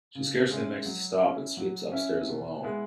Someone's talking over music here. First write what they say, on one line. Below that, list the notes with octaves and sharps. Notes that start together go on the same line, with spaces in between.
She scarcely makes a stop, and sweeps upstairs alone.
C#3
G#3 C#4 E4
F#3
C#4 E4
F#3
C#4 E4
B2
G#3 B3 E4